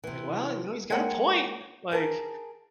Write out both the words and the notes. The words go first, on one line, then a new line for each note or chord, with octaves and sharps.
like, "well, you know, he's got a point, like"
C3 E3
G#3 A#3 C#5 F#5 G5
G#4 A#4 G5 A5